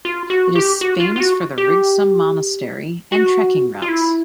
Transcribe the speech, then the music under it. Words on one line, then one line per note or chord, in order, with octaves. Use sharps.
It is famous for the Rigsum Monastery and trekking routes.
F4
F#4
G4
F#4
F4
F4
F#4
G4
F#4
F4
E4